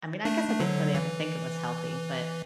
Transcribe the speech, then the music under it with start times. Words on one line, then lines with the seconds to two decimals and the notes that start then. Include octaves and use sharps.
I mean, I guess I didn't really ever think it was healthy, but
0.25 A3 D4
0.48 A3
0.60 D3 F#3
0.95 E3